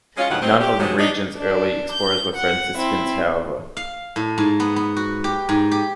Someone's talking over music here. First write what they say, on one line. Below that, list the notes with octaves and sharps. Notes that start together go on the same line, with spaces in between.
None of the region's early explorers were Franciscans, however.
G#3 C#4 F4
D2 G2 B2 D#3 F#3 F#5
F#3 C4 D#4
G4
B2 D#3 F3 F#3 G#3
D4 D#4
D4
G6
F#5
C4 E4
F5
A2
G#2
B3
B3
F#4
G4
G#2
G4